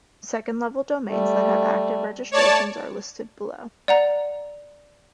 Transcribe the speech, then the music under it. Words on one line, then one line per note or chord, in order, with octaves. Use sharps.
Second-level domains that have active registrations are listed below.
G3 A3
A3 C#5 D5 A5
D5 F#5 A#5